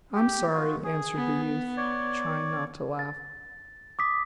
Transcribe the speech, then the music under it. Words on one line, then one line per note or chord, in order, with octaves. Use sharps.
"I'm sorry," answered the youth, trying not to laugh.
G4
F4 F#4
G#4
B3
C#5 D5
A6
D6 D#6 B6